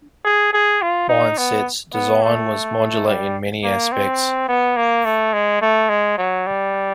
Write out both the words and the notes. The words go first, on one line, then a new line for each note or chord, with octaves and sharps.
Mindset's design was modular in many aspects.
G#4
G#4
F4
D#4
B3
B3
A3
G3
A#3
C4
B3
A#3
A3
G#3
A3
G#3
F#3
G3